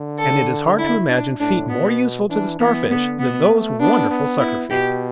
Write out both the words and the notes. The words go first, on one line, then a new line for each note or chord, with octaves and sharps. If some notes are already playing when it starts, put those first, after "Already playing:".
And it is hard to imagine feet more useful to the Starfish than those wonderful sucker-feet!
Already playing: D3
A4
E4
D4
A2 D4
B2 B3
E3 D4
E3 B3
D3 B3
B2 B3
A3
B3 D4
B3
E4
B2 G4